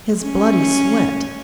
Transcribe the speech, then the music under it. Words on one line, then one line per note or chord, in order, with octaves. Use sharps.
His bloody sweat.
C#4